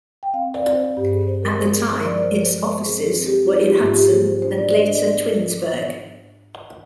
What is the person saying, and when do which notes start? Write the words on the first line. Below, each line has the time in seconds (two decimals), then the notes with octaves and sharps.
At the time its offices were in Hudson, and later, Twinsburg.
0.23 G5
0.34 C4 F5
0.55 D5
0.65 C4
0.75 C5
0.97 G2 G4
1.12 G#4
1.28 G2 C5
1.43 A#4
1.59 G#3 C5
1.75 G#4
1.90 D3 A#4
2.06 D5
2.22 F3 C5
2.43 C5
2.53 G#3
2.64 C5
2.85 C4 G#4
3.06 G#4
3.16 C4
3.26 G4
3.48 D#4 F4
3.57 G#4
3.63 G4
3.79 G#2 F4
3.95 G4
4.10 A#3 G#4
4.26 C5
4.42 D4 C5
4.58 D5
4.73 D4 D#5
4.94 D5